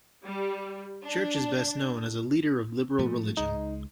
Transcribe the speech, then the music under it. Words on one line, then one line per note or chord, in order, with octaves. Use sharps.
Church is best known as a leader of liberal religion.
G3
D4
A2 F3 A3
C#2 G#3 D#4